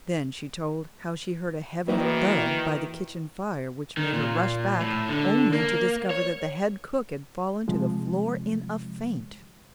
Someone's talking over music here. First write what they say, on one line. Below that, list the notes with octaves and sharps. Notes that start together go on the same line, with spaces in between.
Then she told how she heard a heavy thud by the kitchen fire, which made her rush back, only to discover that the head cook had fallen to the floor in a faint!
D#3 E3 A#3 E4 F#4 B4 E5
D#3
A#2
A2
D3
A#3
C#5
C3 F3 G#3